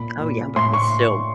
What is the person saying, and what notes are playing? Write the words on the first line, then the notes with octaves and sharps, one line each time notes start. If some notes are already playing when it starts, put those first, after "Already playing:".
Oh, yeah, but it's still
Already playing: A#2 B5
A#2
A2 C6
C#6